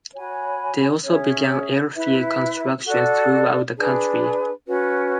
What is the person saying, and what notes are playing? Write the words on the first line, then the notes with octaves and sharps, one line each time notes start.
They also began airfield construction throughout the country.
F#4 C#5 G#5 B5
C#4 G#4 C#5 E5
E4 B4 E5
F#4 A4 D5
D4 G#4 B4
C#4 F#4 B4